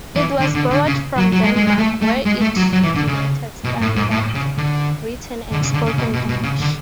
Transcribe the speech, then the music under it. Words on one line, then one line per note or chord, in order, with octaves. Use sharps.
It was borrowed from Denmark where it denoted standard written and spoken Danish.
E3
D3
D3
D3
C#3
F#3
F#3
G#3
G#3
G#3
A3
A3
G#3
A3
F#3
F#3
E3
D3
C#3
B2
A2
G#2
A2
C#3
D3
D3
C#3
D3
C#3
B2
B2
B2
C#3
D3